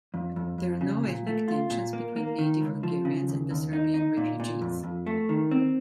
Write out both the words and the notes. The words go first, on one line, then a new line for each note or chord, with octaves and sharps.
There are no ethnic tensions between native Hungarians and the Serbian refugees.
F2
F2
F2
C#3
A#2
A3
F4
A#2
A#3
A#3
D#3
C#2
F3
C#3
D#2
D#2
D#4
D#4
A#2
A#2
F2
F2
A3
D#3
C4